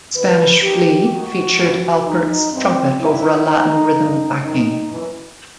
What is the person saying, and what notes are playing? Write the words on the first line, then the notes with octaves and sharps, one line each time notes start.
"Spanish Flea" featured Alpert's trumpet over a Latin rhythm backing.
D#2 D#3 B4
D#2 D#3 G4
D#2 D#3 F#4
G2 E3
E2 D#3 D#4
G2 E3 C4
G2 D#3 E4
F#2 E3 D#4
G2 D#3
F#2 D#3 D#4
F#2 E3